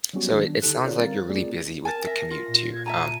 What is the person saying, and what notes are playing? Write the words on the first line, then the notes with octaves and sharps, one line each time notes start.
So it it sounds like you're really busy with the commute too. Um,
F#3 G3 B3 C#4 F#4 G4
D#3 D4
D3 D#4 G4 A4 F#6
C#4 F4 G#4 A#4 C#5 D5
G3 C4 A#4 F5 A6
A3 C4 F4 G#4 D5
A#4 G#5 A5
E5 A#6
F4
A#2
G#6
E5 A5 A#5 D#7